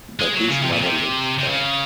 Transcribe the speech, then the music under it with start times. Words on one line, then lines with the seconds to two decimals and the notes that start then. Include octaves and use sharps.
But his mother looked tired.
0.20 G#3
0.34 F#3
0.48 C#3
0.62 C3
0.72 A#2
0.81 C3
1.38 C3
1.48 C#3